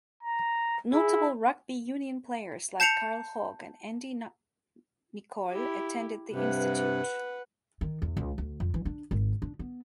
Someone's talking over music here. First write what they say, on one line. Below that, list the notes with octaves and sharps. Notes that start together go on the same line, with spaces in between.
Notable rugby union players like Carl Hogg and Andy Nicol attended the Institute.
A#5
E4 G#4
A5 G6 C7 C#7 F7
E4 G4
G2 C3 B4 F#5
D#3
E2
C#2
D2
F2
E3
D4
G#1
D4
B3